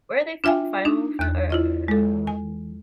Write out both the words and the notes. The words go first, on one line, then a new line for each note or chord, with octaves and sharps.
where are they from? Final Fa or um,
D4 F4 E5 G5 G#5
D4 D#4
E2 F#6
E4 F4 D#5
G#3 A4
G#5